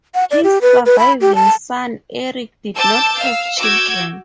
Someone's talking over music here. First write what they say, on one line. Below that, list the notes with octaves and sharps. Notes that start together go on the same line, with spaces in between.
His surviving son Erik did not have children.
F#5
D5
G4
B4
B4
B5
G4
A5
A5 D6 E6 G6 A6
F5 E6
F#4 D6 E6 G6 G#6